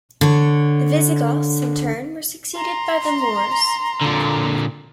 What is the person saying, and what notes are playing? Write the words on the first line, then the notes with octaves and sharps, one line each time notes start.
The Visigoths, in turn, were succeeded by the Moors.
D3 C#5
A#5 C6
A#2 D3